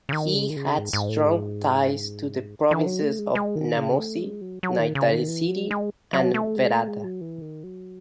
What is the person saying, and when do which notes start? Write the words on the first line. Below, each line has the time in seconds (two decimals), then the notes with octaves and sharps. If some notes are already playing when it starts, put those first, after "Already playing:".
He had strong ties to the Provinces of Namosi, Naitasiri, and Verata.
0.09 C#3
0.13 D#3
0.34 C#3
0.50 D#3
0.56 C#3
0.78 G#2
0.93 G#2
1.09 A2
1.25 G#2
2.71 E3
2.86 F#3
3.02 A3
3.19 G#3
3.35 G#3
3.55 D#3
3.77 C#3
3.99 A3
4.21 G#3
4.41 F#3
4.63 F#3
4.79 D#3
4.95 C#3
5.12 D#3
5.28 E3
5.49 F#3
5.71 G#3
6.13 F#3
6.34 A3
6.57 G#3
6.72 A3
6.88 G#3
7.04 F#3
7.21 E3
7.42 D#3
7.64 F#3